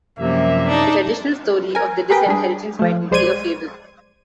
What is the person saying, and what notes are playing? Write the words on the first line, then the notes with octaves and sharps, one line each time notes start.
The traditional story of the disinheritance might be a fable.
F#2 C3 F3 G3 A#3 E5
D4 D#4
A#4 G#5
G4 G#4 A#4 B4 G5
G3 D4 G#4
F3 A3
B1 G#3 C5 D5 G#6 D#7